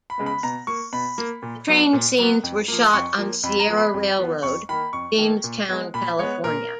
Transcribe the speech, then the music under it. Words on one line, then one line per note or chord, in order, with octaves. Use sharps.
The train scenes were shot on Sierra Railroad, Jamestown, California.
B5
C#3 G#3 B3
B5
B2 A#5
A#3 C#6
B2 B5
A#3
A#2
F#3 B3
A#2
F#3 B3
F2
F3 A#3
F2 C#6
F3 A#3
F2 B5
A#5
F3 B3
B5
F2
F3 B3
F2 C#6
D#3 A#3 B5
F2 C#6
D#3 A#3
A#2
G#3 B3
A#2 B5
G#3 B3 C#5
A#2 A#4